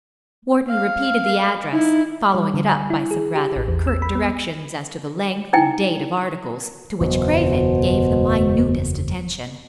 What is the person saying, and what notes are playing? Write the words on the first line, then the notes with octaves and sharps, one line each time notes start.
Wharton repeated the address, following it up by some rather curt directions as to the length and date of articles, to which Craven gave the minutest attention.
F5
D#4 E4
G3
D3
G#5
E4
G#4
G4
A1
E2
E6
B5
B3
D#4 E4 G5 G#5
F#1 E2 B2 F#3 C5